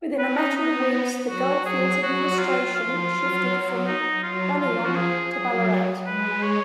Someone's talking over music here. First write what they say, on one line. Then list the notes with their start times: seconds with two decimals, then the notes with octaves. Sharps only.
Within a matter of weeks the goldfields administration shifted from Buninyong to Ballarat.
0.19 C#4 B4
0.37 D#4
0.55 B3 D#4
1.29 F#3 F#4
1.65 F#3 G#4
2.02 F#3 F#4
2.39 F4
2.76 F3 F4
3.13 F#3
3.87 D#4
4.23 F#3 F4
4.60 F3 F4
4.86 F#4
4.96 G#4
5.32 F#3 G#4
6.07 G#3 B4
6.43 C#5